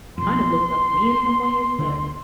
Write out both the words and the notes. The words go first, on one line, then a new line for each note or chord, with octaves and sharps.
kind of looks up to me in some ways, but
B1 F2 C6
D2 D3